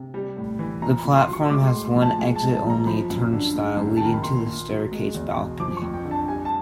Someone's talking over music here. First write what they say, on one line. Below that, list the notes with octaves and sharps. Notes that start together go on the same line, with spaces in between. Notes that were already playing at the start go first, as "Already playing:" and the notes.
The platform has one exit-only turnstile leading to the staircase balcony.
Already playing: C3
G3
A2
E3
A#2 A#5
B5
A#2
C6
F#3
C#6
G#3 D6
C6
A2
C6
F3
A5
G#3 G#5
A5
G#2
A5
F3
A#5
F3 B5
F#2
D3
G#3
F#2
D#3 A5
A#5
B5
A#2 C6
A#2
F#3
G#3
E2
B2
F3 D6
C#6
F2
G5
D3
A5
G3 G#5
A5